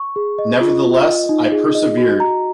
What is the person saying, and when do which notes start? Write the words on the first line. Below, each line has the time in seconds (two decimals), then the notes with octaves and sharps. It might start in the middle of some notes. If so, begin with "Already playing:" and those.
Nevertheless, I persevered.
Already playing: C#6
0.16 G#4
0.38 D#5
0.61 F4
0.84 F4
1.07 D#5
1.29 D#4
1.52 G#4
1.75 D#5
1.97 F#4
2.20 A#5